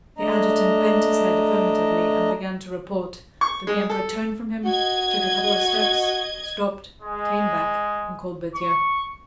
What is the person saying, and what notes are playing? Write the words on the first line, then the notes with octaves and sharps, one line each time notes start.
The adjutant bent his head affirmatively and began to report, but the Emperor turned from him, took a couple of steps, stopped, came back, and called Berthier.
A3 D4 D#5 A#5
C#6
G#3
A4
F#4 D#5 G#6
G#3
C#6